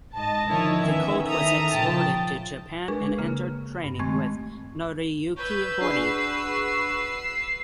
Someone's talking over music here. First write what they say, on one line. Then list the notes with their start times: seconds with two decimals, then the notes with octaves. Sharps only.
The colt was exported to Japan and entered training with Noriyuki Hori.
0.14 G#2 D#5 A5
0.48 D3 D#3 F3 E4 C#5
0.81 D#3 E3 B3 C#4 E5
1.28 A4 E5 A#5 D#6
1.73 A#2 C#3 F3 G5 A5
2.88 G#3 D4 G#4 A#4 B4 C#6
3.18 C#3 A#3
3.84 G2
3.99 D#3 G#3 A3 C4 C#6 G#6
5.37 B4 C#5 E6 G6
5.81 D4 F#4 G#4 B5 C7